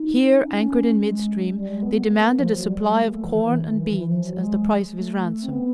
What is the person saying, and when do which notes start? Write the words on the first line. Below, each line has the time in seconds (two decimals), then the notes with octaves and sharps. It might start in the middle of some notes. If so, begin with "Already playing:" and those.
Here, anchored in mid-stream, they demanded a supply of corn and beans as the price of his ransom.
Already playing: D#4
0.41 C#4
0.98 G#3
1.54 G3
1.68 G#3
1.82 B3
1.96 A#3
2.11 A#3
2.25 A#3
2.38 F3
2.53 F#3
2.67 G3
2.81 G#3
2.96 A#3
3.09 A3
3.24 E3
3.37 E3
3.66 D#3
3.80 E3
3.94 E3
4.08 F3
4.22 F#3
4.37 G#3
4.93 A3
5.41 C4
5.49 B3